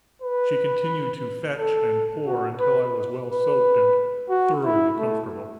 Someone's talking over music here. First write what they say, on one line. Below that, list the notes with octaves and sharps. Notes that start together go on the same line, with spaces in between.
She continued to fetch and pour until I was well soaked and thoroughly comfortable.
B4
A4
F#4
B4
B4
F#4
E4
A3